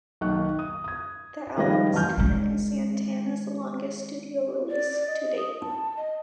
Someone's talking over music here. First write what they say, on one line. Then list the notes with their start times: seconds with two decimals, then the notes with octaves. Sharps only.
The album is currently Santana's longest studio release to date.
0.21 B1 D#3 A#3 C#6 F#6
0.59 D#6
0.84 D#6 G#6
1.56 D#3 F3 G3 B4 F5 A#6
1.93 A1 F#2 F4 A5 F6 G6
2.18 D#3 G#3
4.70 D5
4.90 D5
5.07 D#5
5.22 D#5
5.37 D#6
5.61 A5
5.97 D#5